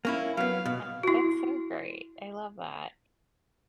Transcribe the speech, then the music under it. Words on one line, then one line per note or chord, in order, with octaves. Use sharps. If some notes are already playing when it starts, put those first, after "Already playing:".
Ah, that's so great. I love that.
A#3 C#4 E4
F#3 B3 F5
B2
E4 F#4